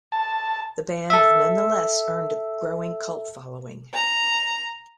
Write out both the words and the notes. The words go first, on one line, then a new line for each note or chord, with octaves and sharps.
The band have nonetheless earned a growing cult following.
A5
A4 E5
A#5